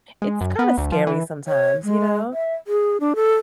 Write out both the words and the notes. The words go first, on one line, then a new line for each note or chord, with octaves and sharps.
it's kinda scary sometimes, you know,
G#3
F#2
B3
D2
F3
E3
C#5
G#3
E5
G#4
D4
A4